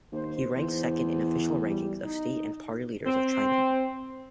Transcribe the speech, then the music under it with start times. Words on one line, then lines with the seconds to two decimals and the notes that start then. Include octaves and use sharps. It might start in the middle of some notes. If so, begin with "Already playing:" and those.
He ranked second in official rankings of state and party leaders of China.
0.12 D#2 C5
0.55 E2
1.63 G3
2.03 D#4
3.06 C4